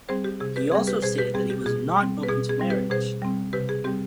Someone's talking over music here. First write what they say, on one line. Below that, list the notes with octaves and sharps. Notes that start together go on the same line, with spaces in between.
He also stated that he was not open to marriage.
G3 C4 G#4 C5
G4
C3 G#4
G4 B4
G3 C4 G#4
G4 B4
B2 G#4 C5
G4 B4
G3 C4 G#4
G4
B2 G#4
G3 C4
B4
B2 G#4
G#4
G3 C4
G4 B4
B2 G#4 C5
G3 C4
C3 G4 B4
G#4
G3 C4 G4